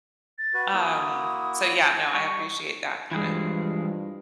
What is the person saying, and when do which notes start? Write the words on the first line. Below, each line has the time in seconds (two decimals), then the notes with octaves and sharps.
Um, so yeah, no, I appreciate that kinda
0.38 A6
0.54 F#4 B4
0.73 A#3 E4 F#4 D#6
2.13 G3 C#6
3.11 G2 E3 F3 G3 G#3